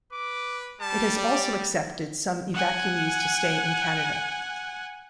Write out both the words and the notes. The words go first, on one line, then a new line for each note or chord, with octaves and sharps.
It has also accepted some evacuees to stay in Canada.
B4 D6
G3 A5
D5
F#5 G#5